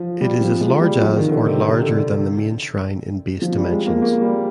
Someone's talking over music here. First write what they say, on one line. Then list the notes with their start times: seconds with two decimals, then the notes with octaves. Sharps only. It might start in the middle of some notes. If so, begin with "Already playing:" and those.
It is as large as or larger than the main shrine in base dimensions.
Already playing: F3
0.20 G3
0.41 F3
0.61 G#3
0.81 G3
1.02 F3
1.16 D#3
1.31 D3
1.46 C3
1.61 C3
1.82 D3
3.42 F3
3.57 G3
3.71 G#3
3.86 A#3
4.02 A#3
4.22 G3